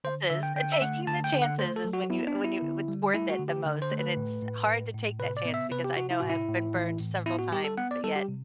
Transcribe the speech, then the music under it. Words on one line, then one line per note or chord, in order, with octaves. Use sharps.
chances taking the chances is when you when you it's worth it the most and it's hard to take that chance because I know I have been burned several times, but yet,
D3 C5
D3 E5
G5
D3 G5
E5
A3 F#5
D3 A5
G5
D3
F#5
A3 C5
A4
F#3
F#4
B3 E4
D4
B3
E4
D3
G3
A3 E4
F#4
D3
G4
D3
C5
A3
B4
A2
A2
A2
A2
C3 B4
D5
B3
E5
C3 B4
G4
C3 F#4
E4
A2 F#4
E4
A2
E3
A2
B3 E4
F#4
G3 G4
A4
B3 F#5
D5
G3 A4
G4
C3